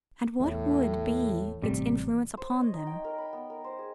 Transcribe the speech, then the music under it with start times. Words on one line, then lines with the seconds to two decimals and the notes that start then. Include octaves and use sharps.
And what would be its influence upon them?
0.40 E2 A2
1.63 A1 C3 G3
2.37 C5
2.50 C#5
2.62 D#5
2.74 D#4
2.87 G5
3.04 A#4
3.18 B5
3.33 B3
3.50 A#4
3.64 C5
3.79 G#4